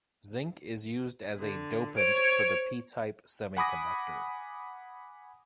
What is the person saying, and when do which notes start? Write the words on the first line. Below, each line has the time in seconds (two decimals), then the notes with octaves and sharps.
Zinc is used as a dopant for the p-type semiconductor.
1.38 D3
1.97 C5 C#5 D7
3.57 F#5 G#5 B5 D6 D#6 A#6